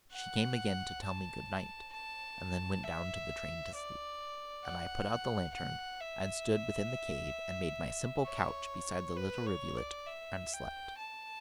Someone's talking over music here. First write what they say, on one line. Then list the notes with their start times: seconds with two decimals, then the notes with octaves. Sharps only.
She came again to tell me good-night, and then went down to the train to sleep; and I put out the lantern, and stooped within the cave, and made my simple couch beside the little rivulet, and slept.
0.12 F#5
1.03 A5
1.92 A5
2.83 E5
3.74 D5
4.64 F#5
5.54 F#5
6.00 E5
8.26 C#5
9.16 B4
9.46 C#5
9.77 D5
10.07 E5
10.53 G5
10.98 A5